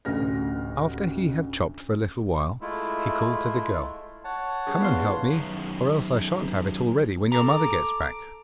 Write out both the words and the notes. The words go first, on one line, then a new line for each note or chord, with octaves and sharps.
After he had chopped for a little while he called to the girl, 'Come and help me, or else I shan't have it all ready when your mother gets back.'
A1 D2 F6 A#6
G#3 A3 E4 F4
C#5 F#5 A5
G2 G#4
E2 B4 F5 C6
F#2 D#3
A4 A#5 D6